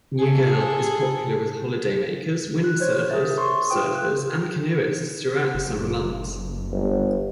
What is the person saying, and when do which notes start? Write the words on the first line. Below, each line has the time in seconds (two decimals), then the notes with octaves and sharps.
Newgale is popular with holiday makers, windsurfers, surfers and canoeists throughout the summer months.
0.19 G#4 A4
2.64 F#6
2.80 C5 C#5 G6 G#6
3.10 G#4 A#4 E5 A6
3.38 C6 C#6
3.70 F4 B4 G5 D#6
3.92 E6 F#6
5.54 F#1
6.72 G1